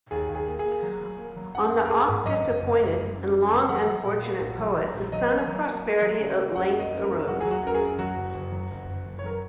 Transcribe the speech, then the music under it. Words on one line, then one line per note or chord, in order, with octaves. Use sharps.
On the oft-disappointed and long unfortunate poet the sun of prosperity at length arose.
D#2 G#4
D#2
G#4
A#3
G#4
A#3
F#3
F#3
A#3
F#3
F#2 F#5
A#3
A#4
A#3 G#4
G#1
F#3 D#5
F#1
F#1
F#1
F#1
F#2
F#2
F#1
F#3 F#5
F#3
A#2
A#3
A#1
F#3
F#3
A#1
F#3 D#5
A#3
F#3
A#3
A#3
F#3
C#3
A#3
F#2 F#5
A#3
D#5
F#2
A#4
A#3
F#3 F#4
F#3 G#4
F#4
F#2 A#4
G#4
F#2
F#3 F#4
F#1
F#1
F#3
F#1
F#1
F#1
C#5
F#3 A#4